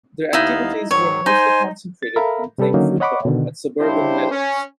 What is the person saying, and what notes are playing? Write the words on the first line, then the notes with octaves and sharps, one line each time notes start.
Their activities were mostly concentrated on playing football at suburban meadows.
D#2 B3 D#4 E4 F5
G#2 D#3 F#3 C#5
D#4 C5 G#5
A6
A4 A#4 E5 F5 A#5 B5
C3 G3 G4 A4 B4
D3 D#3 F#3 A#3 C#4 D#4
C#5 D#5 F#5 B5 C#6 D6
B2 D3 D#3
C#3 G3 D4 E4 G4 C5
C#4